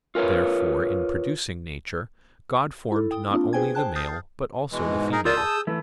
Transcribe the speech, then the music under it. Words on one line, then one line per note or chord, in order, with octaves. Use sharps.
Therefore, in producing nature, God formed not only the male but also the female.
F4 A#4 B4 C#5
E4 A4
G5 D#6
A#3 C4 D4 F4
G#4 B4 C5 G5 G#5 G#6
C5 G5 A5 F#6
D#6 F6 G6 A6 C7
B2 E3 G#3
G#2
D#4 G#4 A#4
F4 A#4 D5 D#6 E6 G6
G#4 A5
E3 A3 E4